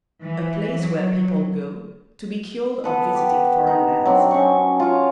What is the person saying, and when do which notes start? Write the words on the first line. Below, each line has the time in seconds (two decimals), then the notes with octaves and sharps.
A place where people go to be cured of visiting foreign lands.
0.24 E3
0.81 F#3
2.84 B3 A4 B4
3.15 G4
3.67 D#4
4.05 F#3 C4 D4
4.31 C#4 C#6
4.80 F4 C#5